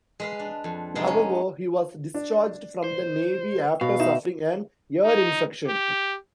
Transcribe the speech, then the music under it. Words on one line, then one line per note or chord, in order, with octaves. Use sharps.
However he was discharged from the Navy after suffering an ear infection.
G#3 B4 F5
D4
F2
C3 G#3 B3 D4 D#4 C5
C#4
D4
C5
B2 F5
D#4 E5
D#4
G4